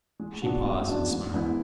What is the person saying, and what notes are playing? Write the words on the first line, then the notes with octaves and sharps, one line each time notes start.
She paused and smiled.
G#3
B3 D4 F#4
G#3
B3 D4 F#4
G#2
G#3 B3 E4